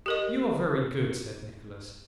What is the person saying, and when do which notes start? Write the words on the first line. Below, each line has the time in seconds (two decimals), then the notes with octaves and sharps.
'You are very good,' said Nicholas.
0.06 G4 A#4 D#5